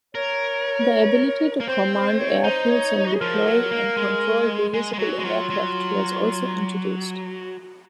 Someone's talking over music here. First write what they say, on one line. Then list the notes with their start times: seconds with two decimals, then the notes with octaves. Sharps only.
The ability to command airfields and deploy and control reusable aircraft was also introduced.
0.15 A#4 C#5
1.60 A#3
1.68 C4 C5
1.94 C5
2.19 C#5
2.44 D#4 C5
2.70 C#5
2.96 C#5
3.06 F#4
3.13 G#4
3.20 F3 A#4
3.46 F#3
3.71 A#3
3.97 G#3
4.74 G#3
4.93 G#3
4.99 F#3 F#4
5.19 G#3
5.25 F#3 F4
5.50 F#3